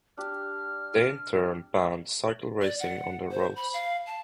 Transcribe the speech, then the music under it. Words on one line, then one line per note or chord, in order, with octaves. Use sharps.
They in turn banned cycle-racing on their roads.
D4 G4 F6
D5
F#5
C5
B5
F5
A5